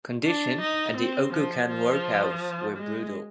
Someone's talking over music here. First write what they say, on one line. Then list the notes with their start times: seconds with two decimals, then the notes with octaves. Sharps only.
Conditions at the Occoquan workhouse were brutal.
0.25 D4
0.61 D#4
0.97 C4
1.33 F3
1.68 F3
2.77 G#3